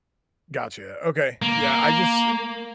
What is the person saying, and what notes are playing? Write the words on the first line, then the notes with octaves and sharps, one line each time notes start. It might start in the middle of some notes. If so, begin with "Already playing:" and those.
gotcha. Okay, yeah. I just
A#3